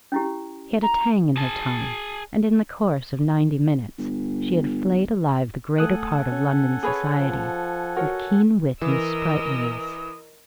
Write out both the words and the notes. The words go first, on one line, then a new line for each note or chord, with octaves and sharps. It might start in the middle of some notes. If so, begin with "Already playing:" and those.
She had a tang in her tongue, and in the course of ninety minutes she had flayed alive the greater part of London society, with keen wit and sprightliness.
C#4 E4 G4
A#5
G#4 A5
G1
A3 A4 F#5 G#5 D#6 F#6
C#4
G#4 B4 C#5
F3
F#4 A#4 C#5
E3 A#4 D#5 D#6 E6